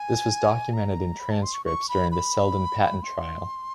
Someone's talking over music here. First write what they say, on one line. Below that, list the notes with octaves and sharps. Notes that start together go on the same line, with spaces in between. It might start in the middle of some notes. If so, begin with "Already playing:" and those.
This was documented in transcripts during the Selden Patent trial.
Already playing: G#5
A#5
B5
A5
C6
C#6
C#6
B5
B5
C6